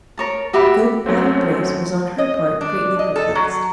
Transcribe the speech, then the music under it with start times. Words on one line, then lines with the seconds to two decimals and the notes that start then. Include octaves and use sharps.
Good Patty Brace was, on her part, greatly perplexed.
0.18 A#4 C#5 A5
0.53 F#4 G4 E5 B5
1.06 F#2 F#3 A3 C4
2.18 D#5
2.61 D4
2.99 D#5
3.16 A4
3.35 F#3